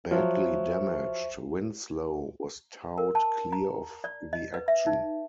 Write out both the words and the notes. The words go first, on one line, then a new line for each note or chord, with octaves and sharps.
Badly damaged, "Winslow" was towed clear of the action.
F3 F#3 C5 E5 C#6
A#4
A5
A#5
D5
D#5
B4
E5
D#4